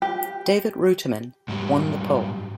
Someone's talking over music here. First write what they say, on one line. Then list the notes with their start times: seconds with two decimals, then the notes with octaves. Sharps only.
David Reutimann won the pole.
0.02 G4
1.48 G#2 F#3 G3